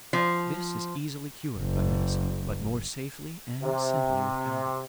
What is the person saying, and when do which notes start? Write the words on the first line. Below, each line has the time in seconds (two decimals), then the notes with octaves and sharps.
This is easily cured by medicine, but more safely and simply without it.
0.13 F3
1.59 F#1
3.63 C3